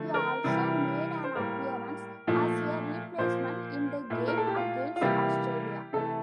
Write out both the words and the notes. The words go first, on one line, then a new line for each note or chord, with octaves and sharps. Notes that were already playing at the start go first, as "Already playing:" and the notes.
He also made an appearance as a replacement in the game against Australia.
Already playing: D3 F3 A3
A#4
C3 E3 G3
C5
A2 G3 A#3 A#4
A#2 F3 A3
A#2 F3 A#3 C5
A#2 A3 E4
A#4
A4
G4
F4
F4
C3 E3 G3 A#3 G4
C3 E3 A3 A4